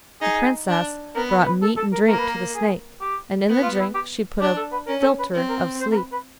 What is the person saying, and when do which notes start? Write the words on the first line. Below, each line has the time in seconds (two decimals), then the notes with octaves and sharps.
The Princess brought meat and drink to the snake, and in the drink she put a philtre of sleep.
0.21 D#4 G#4
0.68 D4
1.15 B3 A#4
1.30 B4
1.46 B4
1.62 A4
1.77 A4
1.93 A#4
2.08 A#3 A#4
2.18 B4
2.27 A#4
2.55 G#4
3.01 G4
3.48 B3
3.63 F4
3.79 E4
3.95 G4
4.40 D4 G4
4.57 A4
4.72 B4
4.87 C#4 A#4
5.03 A4
5.19 B4
5.33 C4
5.49 A#4
5.80 C5
5.92 A#4
5.96 B4
6.12 B4